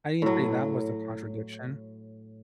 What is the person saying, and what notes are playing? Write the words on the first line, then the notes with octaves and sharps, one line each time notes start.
I didn't say that was the contradiction.
A2 F#3